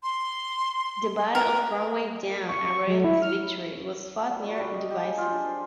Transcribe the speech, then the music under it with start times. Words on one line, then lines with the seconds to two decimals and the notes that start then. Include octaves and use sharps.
The Battle of Roundway Down, a Royalist victory, was fought near Devizes.
0.03 C6
1.35 A#4 B4
2.48 C#6
2.65 C#6
2.87 F#3
3.04 E4
3.22 F6
4.29 G3
4.45 F#4
4.58 G3
4.74 D#5
4.90 G4
5.04 G#4
5.18 F4
5.32 D4
5.45 C5